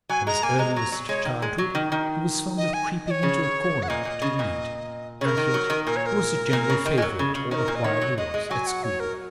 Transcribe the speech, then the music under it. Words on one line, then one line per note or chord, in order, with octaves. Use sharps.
From his earliest childhood he was fond of creeping into a corner to read, and yet he was a general favorite all the while he was at school.
F#3 G#5
G#3 A#5
A#3 G#5
G#3 A#5
F#3 A#5
F#3
G#3 C#5
D#3
G#3
F#3
D#3
D#3
D#5
G#5
D#5
C#5
C#3
F#5
A#2 D#5
A#2
C#3
A#2
C#3 A#4 C#5
D#3
F#3
D#3
A#2 A#4
C#5
A#4
A#2
C#3
D#3
G#3
F#3
C#3
C#3
D#3 A#4 C#5
A#2
D#5
D#3 C#5
F#3
G#3 D#5
G#3
F#3 G#5
F#5
C#5
A#4